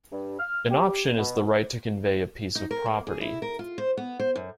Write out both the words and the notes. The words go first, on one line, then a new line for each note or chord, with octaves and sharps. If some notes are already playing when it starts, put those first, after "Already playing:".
An option is the right to convey a piece of property.
G2
F6
G4
B2
D#4
A#4
A#3
G#4
E4
A#4
F4
C5
B3
C5
F#2